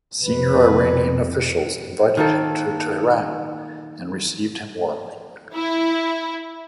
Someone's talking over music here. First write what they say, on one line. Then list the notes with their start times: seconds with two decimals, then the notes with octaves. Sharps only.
Senior Iranian officials invited him to Tehran and received him warmly.
0.22 F2 C3 B4
2.17 D#3 A#3 A4
5.53 E4